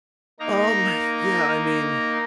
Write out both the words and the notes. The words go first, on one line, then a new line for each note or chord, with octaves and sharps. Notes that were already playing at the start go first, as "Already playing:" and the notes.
Um, yeah. I mean,
A#3 D#4 A#5